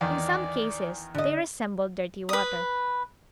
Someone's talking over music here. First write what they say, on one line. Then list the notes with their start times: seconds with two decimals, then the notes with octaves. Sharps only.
In some cases they resemble dirty water.
0.01 E2 D#3 D5
1.14 D3 D#5
2.29 B4 D#6